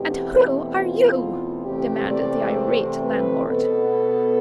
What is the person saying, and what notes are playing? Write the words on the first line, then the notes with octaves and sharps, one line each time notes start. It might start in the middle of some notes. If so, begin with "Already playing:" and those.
"And who are you?" demanded the irate landlord.
Already playing: E2 B2 A3 C4 G4
F4
E2 C3 E3 A3 C4 G4
D5
C5
B4
B2 B3 A4